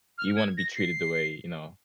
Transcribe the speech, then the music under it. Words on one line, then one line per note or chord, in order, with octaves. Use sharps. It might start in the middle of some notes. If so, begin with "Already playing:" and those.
you wanna be treated the way, you know,
F6
G#6
A#6
C7